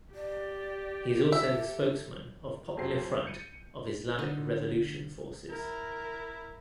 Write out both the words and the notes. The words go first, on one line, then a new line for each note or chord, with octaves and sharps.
He is also the spokesman of Popular Front of Islamic Revolution Forces.
G4 D5
A4 E5
F2 C#3 F#3 G4 C5 C7
G6 C#7 D#7
D3 D#4
E4 A#4